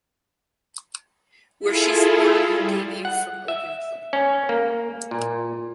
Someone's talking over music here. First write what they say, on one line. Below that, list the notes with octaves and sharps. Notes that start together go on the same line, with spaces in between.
Where she scored on her debut from open play.
E4 F4 G#4 A4
G3
F#5
E5
C#4
A#3
A#2